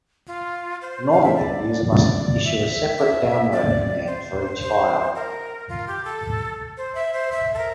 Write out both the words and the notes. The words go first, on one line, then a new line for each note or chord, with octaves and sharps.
Normally, the user must issue a separate download command for each file.
F4
C5
F5
E5
D5
D5
E5
E5
D5
C5
C5
A#4
F4
G4
A4
C5
E5
C5
E5
A4
A#4